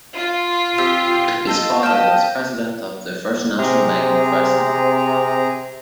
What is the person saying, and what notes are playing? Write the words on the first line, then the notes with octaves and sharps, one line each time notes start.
His father was president of the first national bank in Fresno.
F4
C4 G4
A4 D#5 G6
D#5 F5 G5 A5 F6 G6
C3 C4 G#4 A#5